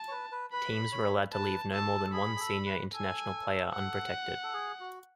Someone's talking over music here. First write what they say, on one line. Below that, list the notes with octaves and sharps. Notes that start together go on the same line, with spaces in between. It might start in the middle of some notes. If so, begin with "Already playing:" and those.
Teams were allowed to leave no more than one Senior International player unprotected.
Already playing: A5
C#5
B4
B4
B4 B5
C#5
B4 A5
A4 A5
A4
G#4 B5
G#4
A4
B4
A4 G#5
F#5
A4
G#4
F#4